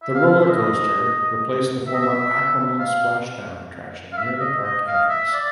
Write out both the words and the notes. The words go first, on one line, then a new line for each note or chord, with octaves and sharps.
The roller coaster replaced the former Aquaman Splashdown attraction near the park entrance.
E5
F5
F5
E5
D#5
E5
D#5
E5
F5
F5
E5
D#5
D#5
F5
E5
D5